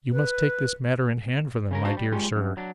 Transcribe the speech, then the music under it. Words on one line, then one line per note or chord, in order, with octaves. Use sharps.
'You must take this matter in hand for them, my dear sir.
B4
C#3 C#4 A#4
D4 F#4 C5 F5 A5 A#5
G3
G3 G#3 C#4 F4 G4
F#2
F#3 D4